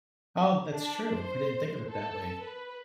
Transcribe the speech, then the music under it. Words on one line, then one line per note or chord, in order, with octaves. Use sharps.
Oh, that's true. I didn't think of it that way.
D4
C5
A4
B4